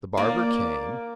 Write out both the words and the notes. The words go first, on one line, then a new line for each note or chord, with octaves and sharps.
The barber came.
A#3 D5